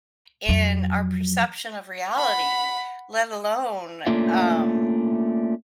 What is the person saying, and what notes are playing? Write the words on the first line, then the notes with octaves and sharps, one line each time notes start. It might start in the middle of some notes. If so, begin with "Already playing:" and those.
in our perception of reality, let alone, um,
F2 F#3
F#5 B5
A3 A#3 C#4 D4 F4 E5